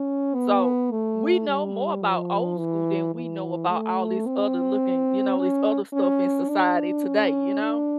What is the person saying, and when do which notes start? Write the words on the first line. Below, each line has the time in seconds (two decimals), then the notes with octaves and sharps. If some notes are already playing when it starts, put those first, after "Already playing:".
So, we know more about old school than we know about all this other looking you know, this other stuff in society today, you know?
Already playing: C#4
0.35 B3
0.91 A3
1.48 G3
2.03 F3
2.58 E3
3.15 E3
3.71 A3
4.26 C4
5.38 C#4
5.93 C#4
6.49 D4
7.05 C#4
7.61 D4